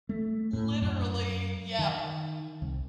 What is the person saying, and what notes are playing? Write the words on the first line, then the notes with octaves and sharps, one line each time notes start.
Literally! Yep!
A3
A2
F#2
D#3
C2